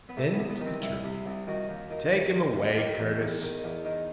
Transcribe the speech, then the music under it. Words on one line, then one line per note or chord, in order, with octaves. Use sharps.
Then to the turnkey: "Take him away, Curtis."
B3
C3 A3
B3
C2
B3
D#3
C4
C2 E4
C3
C2
D#3 F#4
D#2
D#3
D#2
D#3
D#2
D#3 G4
E2
E2
D#3
E2
D#3